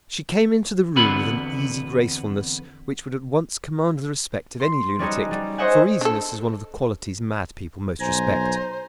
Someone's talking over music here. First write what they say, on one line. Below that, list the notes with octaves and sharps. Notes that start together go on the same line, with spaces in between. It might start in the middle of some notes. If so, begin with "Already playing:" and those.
She came into the room with an easy gracefulness which would at once command the respect of any lunatic--for easiness is one of the qualities mad people most respect.
E2 D3 B3 C4 F#4 B5
C6
G3 C#4 D#4 F#4
G3
C5 C#5 D#5 E5 F#5 G#5
D4 A4
B1 C5 G#5 A#5